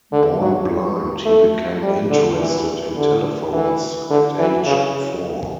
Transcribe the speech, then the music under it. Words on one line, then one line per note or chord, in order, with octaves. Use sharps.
Born blind, he became interested in telephones at age four.
D3
F#3
A3
G3
D3
E3
D3
E3
D3
E3
C#3